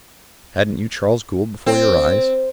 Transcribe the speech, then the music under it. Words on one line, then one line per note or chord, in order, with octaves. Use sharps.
Hadn't you Charles Gould before your eyes?
C4